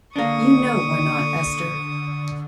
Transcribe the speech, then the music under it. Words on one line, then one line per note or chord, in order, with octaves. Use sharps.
You know why not, Esther.
D3 A#3 D4 C#6 D#6